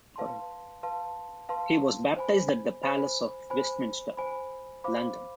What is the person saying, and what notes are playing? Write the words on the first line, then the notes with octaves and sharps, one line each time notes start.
He was baptised at the Palace of Westminster, London.
B4 F5 A5 C6
B4 F5 A5 C6
B4 F5 A5 C6
C5 G#5 B5
C5 G#5 B5
C5 G#5 B5
C5 G#5 B5
C5 F5 B5 D6